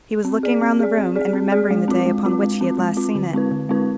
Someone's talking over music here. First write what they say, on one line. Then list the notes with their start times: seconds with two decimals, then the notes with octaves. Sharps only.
He was looking round the room, and remembering the day upon which he had last seen it.
0.25 C4
0.43 G#4 D5
0.61 C4
0.79 G#4 D5
0.98 C4
1.16 G#4 D5
1.33 C4
1.52 G#4 D5
1.71 G#3
1.88 C4 F4
2.06 G#3
2.25 C4 F4
2.43 G#3
2.61 C4 F4
2.79 G#3
2.97 C4 F4
3.15 D3
3.34 G#3 C4 E4 B4
3.51 D3
3.69 G#3 C4 E4 B4